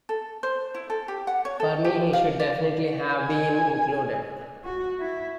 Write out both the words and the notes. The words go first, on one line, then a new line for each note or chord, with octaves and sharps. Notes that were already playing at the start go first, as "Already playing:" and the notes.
For me he should definitely have been included.
A4
C5
E4
A4
G4
F#5
C#5
A4
G4
F5
D5
G#5
F#4
E4